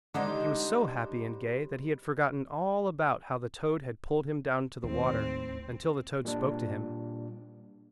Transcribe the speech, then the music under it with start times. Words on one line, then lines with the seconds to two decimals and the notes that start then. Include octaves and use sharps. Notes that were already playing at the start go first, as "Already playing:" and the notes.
He was so happy and gay that he had forgotten all about how the toad had pulled him down to the water until the toad spoke to him.
0.14 D3 G3 G#3 D4 D#4 C5
4.83 D#2 A2 C4
6.25 A#2 G3 D4